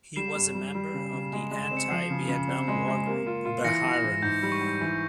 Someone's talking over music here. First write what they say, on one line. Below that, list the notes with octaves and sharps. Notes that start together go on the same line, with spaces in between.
He was a member of the anti-Vietnam War group Beheiren.
G3 C7 E7
G2
G3
G3
C#3
C#3
G#3
G#3
E7
C4
C#7
F3 C7
C#3
C#3
C4
G#3
G#3
A#3
F4
F4
E3 A#6 C#7
E3
A#6
E3
G#2 G6
G3
C#6
G#2
E3